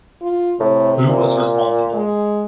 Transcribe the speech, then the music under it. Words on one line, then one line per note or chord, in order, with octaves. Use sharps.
Who was responsible?
F4
A2 C3
A#2
G#3